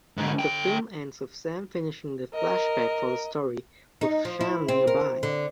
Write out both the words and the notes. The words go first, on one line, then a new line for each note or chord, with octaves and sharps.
The film ends with Sam finishing the flashback for the story, with Shannon nearby.
G#2 D3
D3 G5
A#4 D#5
D#4
F3
E4
C4
A#4
D3